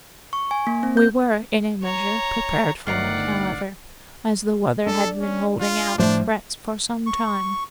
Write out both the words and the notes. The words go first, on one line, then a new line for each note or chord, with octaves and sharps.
We were, in a measure, prepared for it, however, as the weather had been holding out threats for some time.
C#6
G#5
A#3
C4
G6
C#5 A#5
G1 D2 D#3 A#4 D5 F#5 F6 C7
D4 A4
C#4
F4
A2 F3 D4 C5
C#6